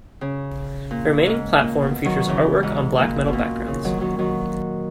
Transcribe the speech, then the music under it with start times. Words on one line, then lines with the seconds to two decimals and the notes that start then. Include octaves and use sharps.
The remaining platform features artwork on black metal backgrounds.
0.21 C#3
0.91 A#2
1.26 G#2
1.60 A#2
1.82 B2
2.05 D#3 F#3
2.28 C#3 E3
2.63 G#2
2.98 A#2
3.28 B2
3.33 A#2
3.67 C#3
3.84 D#3 F#3
4.01 D#3 F#3
4.19 D#3 F#3